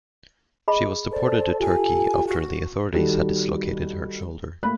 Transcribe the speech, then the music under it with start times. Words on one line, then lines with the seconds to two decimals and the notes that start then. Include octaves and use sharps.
She was deported to Turkey after the authorities had dislocated her shoulder.
0.68 G#4 D#5 B5
1.13 A4 C5 D5 A5
1.60 F4 G4 G#5
2.27 F#4
2.93 D#3 G3 F#4 G4 A4
4.63 A3 A#3 B5 F#6